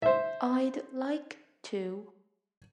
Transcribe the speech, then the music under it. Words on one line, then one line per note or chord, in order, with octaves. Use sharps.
I'd like to.
C5 E5